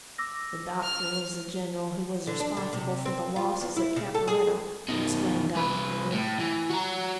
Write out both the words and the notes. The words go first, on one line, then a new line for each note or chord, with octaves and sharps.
"The doctor was the general who was responsible for the losses at Caperetto," explained Dr. Carew.
D6 E6 A#6
F6
D3
D4
D3
C3
C4
F4
E2
E4
C#3
A4
G#4
B2 D#3
C2 B4
A2
E3
F#4 A#5